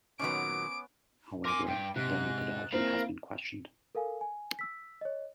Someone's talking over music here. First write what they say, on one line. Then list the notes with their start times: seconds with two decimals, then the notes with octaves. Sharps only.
However, their methodology has been questioned.
0.19 A#2 D#3 F#3 B3 C#4 D6 D7
1.45 A#4 G#5 C6 D6
1.68 G2 G5
1.96 G#2 C3 F#6
2.72 A#3 C4 E4 A#4 F5 B5
3.95 A4 A#4 F5 G#5
4.21 G#5
4.59 E6 B6
5.01 C#5 D#5